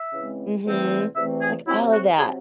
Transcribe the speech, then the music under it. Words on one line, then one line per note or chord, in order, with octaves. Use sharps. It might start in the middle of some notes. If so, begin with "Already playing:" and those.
Mhm. Like, all of that.
Already playing: E5
C#3 E3 G#3 C4
E2 C3 E3 A3 C4
E2 C3 E3 A3 C4 E5
G#4
C3 F#3 C4 E4
F#4
C3 F#3 C4 G#4